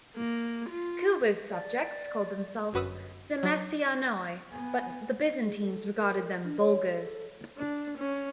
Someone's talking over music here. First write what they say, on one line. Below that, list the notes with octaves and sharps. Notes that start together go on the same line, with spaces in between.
Kuber's subjects called themselves "Sermesianoi", but the Byzantines regarded them "Bulgars".
A#3
F4
D5
G1 F#2 F#4 B4 D#6 E6
F#3
B3 G#5
G#4
A4
A#4
D4
C#5
A4
D4
C#4